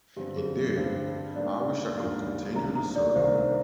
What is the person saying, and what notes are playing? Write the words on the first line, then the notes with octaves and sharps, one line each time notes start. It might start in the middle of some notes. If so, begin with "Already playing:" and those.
Indeed, I wish I could continue to serve.
G2 D3 G3 C4 G4
G#4
G2 D3 G3 C4
G#2 G3 A#3 D4 D5
G#2 G3 A#3 D4
C2 C3 D#3 A#3 D4 A#5
A#5
D5
C2 C3 D#3 A#3 D4 C5
A#4